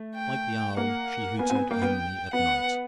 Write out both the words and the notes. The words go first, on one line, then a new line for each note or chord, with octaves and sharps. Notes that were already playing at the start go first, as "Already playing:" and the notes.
Like the owl, she hooted only at night.
Already playing: A3
G5
A#3 F#5
B3 G#5
C4
B3
A#3 G5
B3
B3 F#5